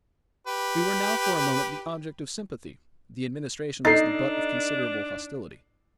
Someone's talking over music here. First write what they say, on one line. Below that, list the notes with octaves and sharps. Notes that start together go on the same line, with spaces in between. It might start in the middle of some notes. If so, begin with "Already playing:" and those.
We were now for a moment the object of sympathy; the Administration was the butt of considerable hostility.
G4 B4
D4 D#4 A4 D#5 A6 C7